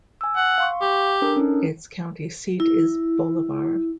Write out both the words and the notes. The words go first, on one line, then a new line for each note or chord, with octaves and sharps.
Its county seat is Bolivar.
G#5 E6
F#5
F5 C6 C#6
G4
D4 A4 A#4
C#4 D#4
E4